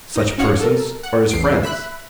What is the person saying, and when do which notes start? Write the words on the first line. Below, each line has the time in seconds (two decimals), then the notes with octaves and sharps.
Such persons are his friends.
0.16 D#4 A#6
0.38 C#4 F#4 C#5 F5 F#5 C#7
0.60 A4 A#4
1.03 F#5
1.30 A1 E2 C7 D7
1.63 E5 B5 F#6